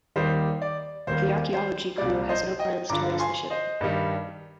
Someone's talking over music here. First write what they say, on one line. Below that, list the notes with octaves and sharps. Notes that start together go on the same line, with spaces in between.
The archaeology crew has no plans to raise the ship.
D#2 D#3 G3 C5
D5
D#2 D#3 G3 C5
C5
C2 A#2 G3 D5
C5 D#5
D#5 G5
G2 D3 F3 A#5 D6
G#5 C6
C5 D#5
G2 D#3 G3